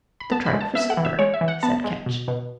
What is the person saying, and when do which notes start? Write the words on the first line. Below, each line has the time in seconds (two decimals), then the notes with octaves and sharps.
"The tripe for supper," said Ketch.
0.20 B5
0.31 B3 A5
0.46 B5
0.53 G#3
0.61 A5
0.75 B3 E5
0.90 F#5
0.97 E3
1.05 E5
1.19 G#3 C#5
1.34 E5
1.41 E3
1.48 F#5
1.63 B3 A5
1.84 G#3
2.06 B2
2.28 B2